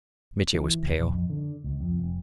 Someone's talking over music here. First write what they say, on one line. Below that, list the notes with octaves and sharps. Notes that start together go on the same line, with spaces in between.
Mitya was pale.
E3
C#2
A#1
F2
D3
C#2
F2
F1